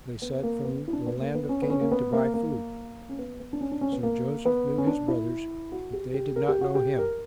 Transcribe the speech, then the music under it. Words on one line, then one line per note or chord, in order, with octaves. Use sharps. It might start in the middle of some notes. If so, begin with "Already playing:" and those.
They said, "From the land of Canaan to buy food." So Joseph knew his brothers, but they did not know him.
B3
A#3
B3
E4
D4
B3
B3
A#3
B3
C#4
B3
C#4
A#3
B3
A#3
A#3
C#4
B3
B3
D4
C#4
D4
C#4
B3
A#3
B3
C#4
D4
E4
F#4
G4
G4
A#4
G4
F#4
G4
A#4